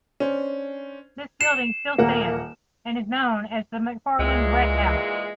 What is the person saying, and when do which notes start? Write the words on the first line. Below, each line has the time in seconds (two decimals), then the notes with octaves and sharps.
This building still stands and is known as the Macfarlane Bredt House.
0.20 C#4 D4 C5
1.41 C7 C#7 E7
1.98 D#1 A#3 F#5 A#5
4.19 C#2 A#2 E3 G#3